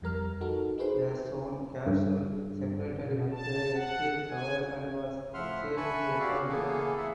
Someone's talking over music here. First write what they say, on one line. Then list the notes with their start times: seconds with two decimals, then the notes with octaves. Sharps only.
The Zond capsule separated with the escape tower and was safely recovered.
0.02 F2 G3 A#4 F6
0.41 D#4 F#4 A4 A#4
0.78 D#4 G#4 B4 C5 C6
1.86 G2
2.97 B2
3.31 A5
3.74 F#5
4.29 G#5
5.34 A2 F3 E5 F#5 C6 F6
5.77 B4 E5 G#5 A5 B5 C#6
6.20 F#4 G4 D5 F5
6.49 C#3 E3 A#3 B3 G#4 A4
6.97 A3 G#4 E5 F#5